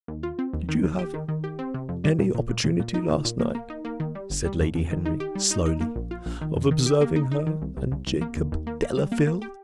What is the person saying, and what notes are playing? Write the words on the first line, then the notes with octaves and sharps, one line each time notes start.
"Did you have any opportunity last night," said Lady Henry, slowly, "of observing her and Jacob Delafield?"
D#2
F4
C4
D#2
D#3
D#2
G4
D#3
D#3
G4
C4
C3
F2
G3
A#2
A#2
A#2
A#2
A#2
D#4
A#2
A#2
A#3
A#3
D#4
A#3
D#3
G3
G1
G3
F2
F2
D#3
D#4
G4
G3
D#4
D#4
A#3
A#1
F4
A#1
D#3
F2
D#3
G4
A#3
D#4
D#4
D#3
C2
C2
C2
C2
A#3
D#2
D#2
A#3
A#3
G3
A#3
A#3
G4